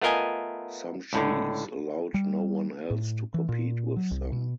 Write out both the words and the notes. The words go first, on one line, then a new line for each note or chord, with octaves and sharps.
Some chiefs allowed no one else to compete with them.
A3 B3 F4 A#4 D#5 G#5
C#2 A2 D3
G3
A2
E3
A#2
F#3
C2
B2